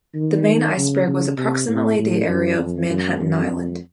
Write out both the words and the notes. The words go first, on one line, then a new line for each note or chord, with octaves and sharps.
The main iceberg was approximately the area of Manhattan Island.
D#3
C#3
C#3
C3
A2
A2
F#2
F2
F#2
F#2
F2